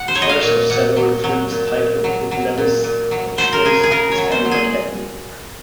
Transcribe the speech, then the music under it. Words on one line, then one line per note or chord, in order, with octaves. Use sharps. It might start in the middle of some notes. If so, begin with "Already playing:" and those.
The first of several films titled with Lewis' catchphrase, Is Everybody Happy?
Already playing: F#5
C5
F#3 C#5
D#5
F5
A#2
A#2 F#5
F#3
F#3
A#2
A#2
F#3
F#3
A#2
A#2
F#3
F#3 C5
A#4
C#3 G#4
G#4
C#3 A#4
C#5
F#3
C5
F#3
G#4